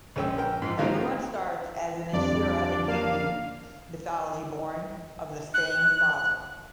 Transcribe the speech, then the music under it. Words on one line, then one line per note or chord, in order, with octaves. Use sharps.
Everyone starts as an Asura in Hindu mythology, born of the same father.
A#1 G#3 C#4 G5 E6
A#4 G5
G#2 F3
D#3 F#3 G#3 A#3 C#4 D#4
F2 G3 D4 D5
A#3 F5
F#6